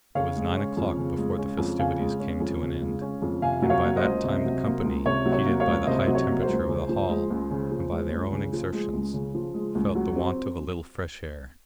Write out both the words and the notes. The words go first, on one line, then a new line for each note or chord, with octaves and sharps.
It was nine o'clock before the festivities came to an end, and by that time the company, heated by the high temperature of the hall, and by their own exertions, felt the want of a little fresh air.
C#3 C#5 F5
G#3
C#4
F2
C#3
G#3
C#4
F2
C#3 F5 G#5
G#3
C#4
F2
C#3
G#3
C#4
F2
C3 F5 G#5
F#3
C#5 F5
A#3
C5 D#5
C#2
C3
F#3
A#3
C#2
C3 C#5
F#3
C#5
A#3
C#5 F5
C#2
C3 C5 D#5
F#3
C#5
A#3
C5
C#2
C#3
F3
G#3
C#2
C#3
F3
G#3
C#2
C#3
F3
G#3
C#2
C#3
F3
G#3
C#2
F#3
C4